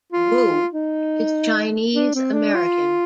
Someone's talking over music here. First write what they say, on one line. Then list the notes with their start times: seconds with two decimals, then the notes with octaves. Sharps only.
Wu is Chinese American.
0.12 F4
0.73 D#4
1.94 D4
2.14 C4
2.33 D4
2.55 F4